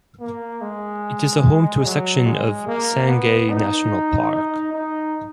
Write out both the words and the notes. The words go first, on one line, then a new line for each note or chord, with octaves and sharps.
It is a home to a section of Sangay National Park.
A#3
G#3
F#3
G#3
A#3
B3
D#4
D#4
D#4